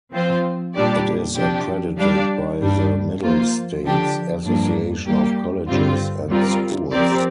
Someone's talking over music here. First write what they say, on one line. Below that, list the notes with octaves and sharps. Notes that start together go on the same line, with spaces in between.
It is accredited by the Middle States Association of Colleges and Schools.
F3 C4 F4 C5
A#2 G3 D4 G4 D5
C3 F3 D4 G4
G3 D4 G4 D5 F5
G2 G3 D4
F3 A#3 F4 C5
D3 F3 D4 G4
G2 F3 A#3 D4
G3 A#3 G4
G2 D3 G3 C4 F4
G3 C4 F4 A#4 D5
F3 C4 G4 A#4 D5